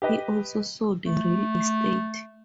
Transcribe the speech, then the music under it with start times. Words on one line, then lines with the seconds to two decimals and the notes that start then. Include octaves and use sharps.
He also sold real estate.
0.02 G4 B4 D#5
1.06 A3